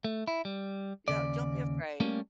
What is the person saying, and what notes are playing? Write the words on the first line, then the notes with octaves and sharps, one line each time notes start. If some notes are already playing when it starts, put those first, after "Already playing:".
Yeah, don't be afraid.
A3
E4
G3
D#2 C#3 D5
G3 A3 A#3 C#4